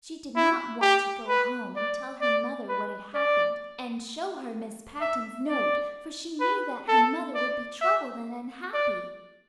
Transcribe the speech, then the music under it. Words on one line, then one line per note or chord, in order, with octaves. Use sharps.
She did not want to go home and tell her mother what had happened, and show her Miss Patten's note, for she knew that her mother would be troubled and unhappy.
E4
G4
B4
D5
D5
B4
D5
E5
D5
B4
A4
D5
E5
D5